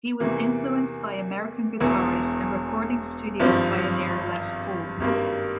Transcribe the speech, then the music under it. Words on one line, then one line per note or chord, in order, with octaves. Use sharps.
He was influenced by American guitarist and recording studio pioneer Les Paul.
E2 C3 E3 A#3
E1 E2 E3
G#1 G2 F3 C4
G#1 G2 G3 A#3